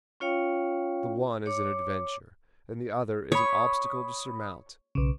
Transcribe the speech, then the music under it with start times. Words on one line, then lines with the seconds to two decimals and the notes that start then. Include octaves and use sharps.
The one is an adventure, and the other is an obstacle to surmount.
0.20 C#4 F4 C#5 F5 G5
1.46 C#5 D6
3.32 C#5 B5 D#6
4.95 B1 C#3